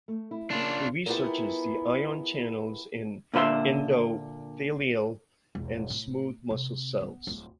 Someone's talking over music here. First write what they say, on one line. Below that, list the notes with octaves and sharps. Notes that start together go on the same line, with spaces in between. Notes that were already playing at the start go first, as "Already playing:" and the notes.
He researches the ion channels in endothelial and smooth muscle cells.
A3
E4
C#3 A#3 D4 F4
B3 E4 F4 G4 G#4 A#4
A#2 D3 B4 E5 C6
E1
A2
C3
B3
D1 A#1